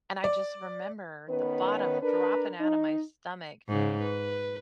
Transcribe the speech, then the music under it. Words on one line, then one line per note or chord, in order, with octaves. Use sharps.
and I just remember the bottom dropping outta my stomach,
D5
D#3 B3 C#4 B4
D4 A#4 B4
D#4
G#2 C#3
B4